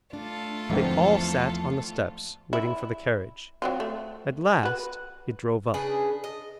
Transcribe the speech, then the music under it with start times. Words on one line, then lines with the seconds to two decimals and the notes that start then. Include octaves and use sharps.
They all sat on the steps waiting for the carriage. At last it drove up.
0.13 A3 D4 F4 A4
0.69 E2 G#2 D3 F3 C4 E5
2.53 E4
3.62 F#3 C4 F4
3.80 A3
4.63 F#4 B4
5.74 C#3 D4 G#4 B4
6.24 D#5